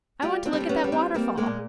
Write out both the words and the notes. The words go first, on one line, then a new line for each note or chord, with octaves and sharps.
I want to look at that waterfall.
G3 F4 G4
C4 D4
G3
C4
B3 C#4
G3
C4 D4
G3 A#3 C4
G#3 A#3
A#2